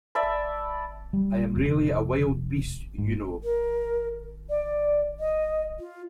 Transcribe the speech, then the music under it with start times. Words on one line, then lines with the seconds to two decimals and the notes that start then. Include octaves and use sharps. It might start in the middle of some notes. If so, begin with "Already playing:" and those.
I am really a wild beast, you know.
0.15 D5 E5 A5 B5
1.13 G3
1.55 F1
2.98 G#2
3.43 A#4
4.49 D5
5.20 D#5
5.79 F4